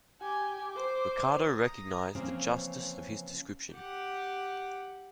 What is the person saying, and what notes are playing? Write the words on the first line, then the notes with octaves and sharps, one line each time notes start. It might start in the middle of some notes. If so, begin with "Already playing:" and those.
Ricardo recognised the justice of his description.
G4 G#5
C5 D6
A#5 D#6
C#3 E3 F3 A#3 C4
G4 F#5